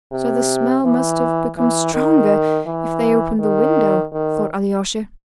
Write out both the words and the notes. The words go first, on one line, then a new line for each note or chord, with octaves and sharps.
"So the smell must have become stronger, if they opened the window," thought Alyosha.
C3
E3
E3
D#3
E3
D#3
D#3